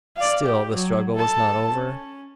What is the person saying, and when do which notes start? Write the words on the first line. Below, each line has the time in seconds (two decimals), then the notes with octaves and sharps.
Still the struggle was not over.
0.17 D5 F5
0.45 G4
0.74 F#3
1.15 A4 A5
1.74 C#4